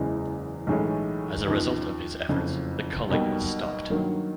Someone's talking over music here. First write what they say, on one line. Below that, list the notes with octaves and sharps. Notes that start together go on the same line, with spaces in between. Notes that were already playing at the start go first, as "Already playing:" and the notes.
As a result of his efforts, the culling was stopped.
Already playing: F#1 E2 C#3 E3 G#3
B1 A2 E3 G#3 C#4
D#2 C#3 F3
F#1 F2 C#3
B1 B2 G3 A#3
G2 D#3 F#3 A#3